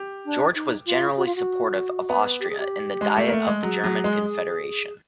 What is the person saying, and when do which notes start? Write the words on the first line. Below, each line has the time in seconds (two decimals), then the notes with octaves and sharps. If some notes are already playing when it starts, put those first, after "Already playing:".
George was generally supportive of Austria in the Diet of the German Confederation.
Already playing: G4
0.24 D4
0.54 D#4
0.85 F4
1.16 F#4
1.25 F4
1.35 F#4
2.09 B3
2.40 G4
2.49 G#4
2.58 G4
3.01 G#3
3.17 A3
3.28 A#3
3.32 A3
3.47 G#3
3.62 F#3 G#4
3.84 F#3
4.04 G#3